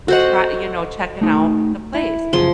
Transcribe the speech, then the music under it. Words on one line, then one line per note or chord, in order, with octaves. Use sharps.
try you know, checking out the place,
F#4 A4 C5 D#5 F#5
A3 D#4
E4
C#2 F#2 F3 G#4 C6